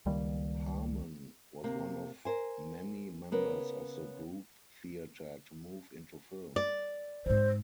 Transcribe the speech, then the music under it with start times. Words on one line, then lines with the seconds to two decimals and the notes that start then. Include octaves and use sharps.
Harmon was one of many members of the Group Theatre to move into film.
0.06 C#2 D#3 G3 A#3
1.64 C3 A#3
2.25 A#4 C5 G#5
3.32 C#3 B3 A#4
6.56 D5
7.26 G#2 C4 C5